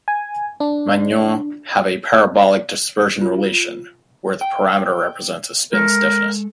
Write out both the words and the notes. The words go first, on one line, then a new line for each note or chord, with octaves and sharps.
Magnons have a parabolic dispersion relation: where the parameter represents a spin stiffness.
G#5
D4
F4
G5
G#3 A4 A#4